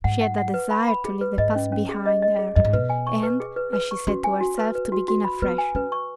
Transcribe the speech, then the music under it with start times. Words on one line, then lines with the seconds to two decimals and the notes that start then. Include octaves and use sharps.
She had a desire to leave the past behind her and, as she said to herself, to begin afresh.
0.04 G#2 F#5
0.21 F#5
0.38 F#5
0.54 B4
0.71 B5
0.88 B5
1.05 G#4
1.21 B4
1.38 G#2 D#5
1.56 C#4
1.72 C#4
1.89 G#4
2.06 D#5
2.22 D#5
2.39 G#4
2.56 F#2 D#5
2.65 G#2
2.73 B2 B4
2.89 G#5
3.07 C#6
3.23 B4
3.40 G#4
3.56 B4
3.73 B4
3.91 C#6
4.07 C#4 F#4
4.24 G#5
4.41 F#4
4.58 B4
4.75 B4
4.92 F#4
5.08 F#4
5.24 B5
5.42 B3 B4
5.58 G#5
5.75 C#4 B4
5.92 C#6